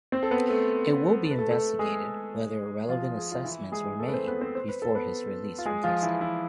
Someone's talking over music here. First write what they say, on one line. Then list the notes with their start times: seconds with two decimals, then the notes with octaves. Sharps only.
It will be investigated "whether relevant assessments were made" before his release from custody.
0.12 C4 C5
0.23 A4
0.31 B3 B4
0.49 A3 A4
1.24 A4
1.31 B4
1.38 A3 A4
1.51 A3 A4
1.79 G#3 G#4
2.89 F3 F4
3.18 G#4
3.32 F4
3.44 E3 E4
3.72 G#3 G#4
3.99 A3 A4
4.08 B4
4.14 C4 C5
4.27 B3 B4
4.41 C4 C5
4.55 C5
4.68 B4
4.82 A4
4.95 B3 B4
5.58 F4
5.65 G#3 G#4
5.84 F3 F4
6.02 E3 E4
6.21 E3 E4